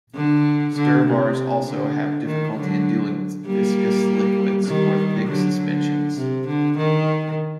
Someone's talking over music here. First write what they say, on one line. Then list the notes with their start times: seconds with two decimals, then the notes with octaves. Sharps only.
Stir bars also have difficulty in dealing with viscous liquids or thick suspensions.
0.15 D3
0.76 D3
1.06 C3
1.66 D3
2.26 D#3
2.56 D3 F#3
3.46 G3 A#3
4.67 D#3 G3
5.27 D3 F#3
5.57 D3
6.18 C3
6.47 D3
6.78 D#3